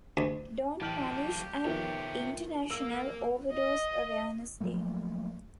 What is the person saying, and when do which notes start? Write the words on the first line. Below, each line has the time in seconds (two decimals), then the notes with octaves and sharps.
Don't Punish and International Overdose Awareness Day.
0.17 D2
0.81 A1 F#3 G4 G5 A5 F6 F#7
1.65 D#3 F3 B3 C#5 E5 G5
2.71 A#4 F5 E6
3.53 D#5
4.60 F3 F#3 A3 A#3